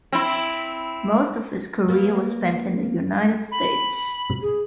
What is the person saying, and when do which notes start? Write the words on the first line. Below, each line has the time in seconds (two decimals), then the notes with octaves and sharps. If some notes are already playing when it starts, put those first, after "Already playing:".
Most of his career was spent in the United States.
0.12 C4 E4
1.88 A#3 B3
3.52 B5
4.42 G#4